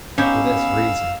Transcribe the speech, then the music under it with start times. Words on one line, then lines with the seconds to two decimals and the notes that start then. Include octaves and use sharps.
For this reason.
0.18 B3 C#4 D#4 G4 C#5 F5 E6